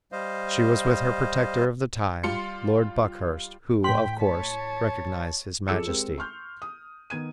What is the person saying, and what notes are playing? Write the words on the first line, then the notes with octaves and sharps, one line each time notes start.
She was with her protector of the time, Lord Buckhurst, who, of course, recognized his majesty.
G3 C5 D#5 F5
G3 F4 C6 C#7
A2 G5 C6 B6
C#5 A5
F2 G#4 A4 D6 E6 C#7
G#3 C4 G4 A#4
C6 C#6 F6 G6
D#6
D#3 B3 G#6 D#7